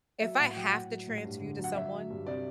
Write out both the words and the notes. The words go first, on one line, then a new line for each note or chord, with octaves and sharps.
if I have to transfer you to someone,
F#3 E5
A2 F#5
F#3 G5
A2 F#5
F#3
A2
G2
D3
F#3
F#5
F#3 E5
F#3
G2
C3 D5